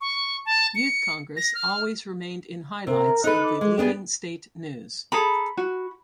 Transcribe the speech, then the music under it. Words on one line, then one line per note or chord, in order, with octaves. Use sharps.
Youth Congress always remained in highlights of the leading state news.
C#6
A5
C#7
A#6
F6
C3 A#4
D#4 A4 B4 F#6
D6
G#3
B3 D4 G4 G#4
G#4 A4 A#5 B5
F#4